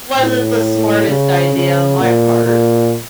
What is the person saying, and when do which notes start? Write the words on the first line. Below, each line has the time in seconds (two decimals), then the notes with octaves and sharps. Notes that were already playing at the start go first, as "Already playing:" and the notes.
wasn't the smartest idea on my part,
0.17 A2
1.08 C#3
1.55 C#3
2.00 A#2
2.46 A#2